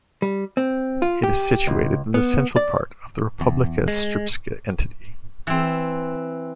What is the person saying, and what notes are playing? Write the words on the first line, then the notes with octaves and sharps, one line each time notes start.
It is situated in the central part of the Republika Srpska entity.
G3
C4
F4
G4
C#2
B3
D5
E2
G#3
E3 C4